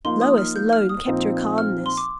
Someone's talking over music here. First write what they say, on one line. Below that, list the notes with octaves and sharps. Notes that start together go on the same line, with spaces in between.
Lois alone kept her calmness.
F3 A#3 D#4 C6
D#6
F6
G6
F6
D#6
A#2 F3 C4 D#4
F6
C6
D6